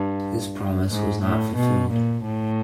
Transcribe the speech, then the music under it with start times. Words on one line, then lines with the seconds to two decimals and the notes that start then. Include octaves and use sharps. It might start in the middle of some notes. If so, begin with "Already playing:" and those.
This promise was not fulfilled.
Already playing: G2
0.89 G#2
1.22 A2
1.56 B2
1.90 A#2
2.23 A2